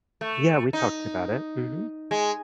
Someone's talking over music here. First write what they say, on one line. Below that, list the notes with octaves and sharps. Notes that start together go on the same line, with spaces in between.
Yeah, we talked about it. Mhm.
A3
D#4
G#3